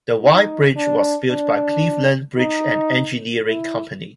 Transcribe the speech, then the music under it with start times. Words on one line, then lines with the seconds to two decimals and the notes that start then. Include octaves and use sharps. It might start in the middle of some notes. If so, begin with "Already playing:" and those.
The Wye Bridge was built by Cleveland Bridge and Engineering Company.
0.23 D#4
0.77 D4
1.30 D4
2.38 D#4
3.46 E4